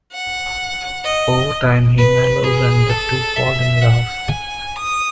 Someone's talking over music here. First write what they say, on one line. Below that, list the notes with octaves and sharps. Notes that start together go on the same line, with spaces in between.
Over time, he mellows and the two fall in love.
F#5
D#5
B4
G#4
A4
E5
F#5
G#5
D#6